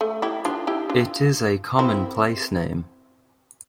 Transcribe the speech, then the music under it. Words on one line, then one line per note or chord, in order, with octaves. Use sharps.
It is a common place name.
A3
E4 G4
D4 F4
E4 G4
D4 F4
C4 E4